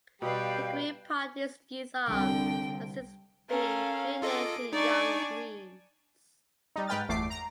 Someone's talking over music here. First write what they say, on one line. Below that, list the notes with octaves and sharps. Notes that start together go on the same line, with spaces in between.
The Green Party's youth arm has since been renamed to Young Greens.
B2 G3 G4 B4 D5 F5 G5
C2 D3 G5
C#4 A4 A#4 F5
F4 G#4 A4 D#5 D6
D4 D#4 D5 G#5 C#6
G3 D#4
G#2 B4 G5 F6 A6
G1 E2 A3 D6 C7
A#5